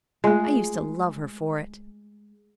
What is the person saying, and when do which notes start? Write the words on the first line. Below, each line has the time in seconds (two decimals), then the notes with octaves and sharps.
I used to love her for it.
0.24 G#3 A3 F4